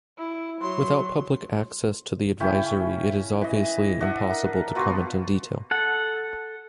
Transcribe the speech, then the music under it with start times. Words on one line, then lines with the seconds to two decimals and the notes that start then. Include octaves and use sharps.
Without public access to the advisory, it is obviously impossible to comment in detail.
0.18 E4
0.61 F#3 C6
2.40 C#3 C#4 E4 G5
3.41 E3 D#5
4.00 D4 D#5 E5 F#5
4.30 A#4
4.75 B2 B3 F4 F#4
5.71 A4 F#5